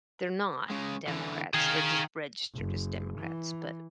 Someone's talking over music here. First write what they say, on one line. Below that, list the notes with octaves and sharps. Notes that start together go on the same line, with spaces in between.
they're not Democrats. They're just registered as Democrats. But,
C#3 G#3
D3 E3
D#3 G#4 F5
F#1
E3